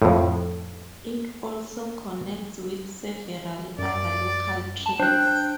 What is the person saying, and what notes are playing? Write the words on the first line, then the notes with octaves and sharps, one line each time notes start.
It also connects with several other local trails.
F2 A2
F#2 D5
A5
D4 C5 G5 F#6